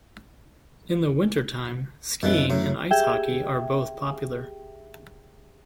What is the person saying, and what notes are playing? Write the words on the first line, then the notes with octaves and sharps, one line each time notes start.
In the wintertime skiing and ice hockey are both popular.
F#2 B2 D3 E3 C#4
A2 F#3
G4 G#4 E5 G5